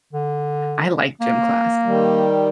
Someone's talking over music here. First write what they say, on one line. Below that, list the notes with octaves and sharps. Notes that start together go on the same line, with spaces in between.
I like gym class,
D3
A#3
D#3 G3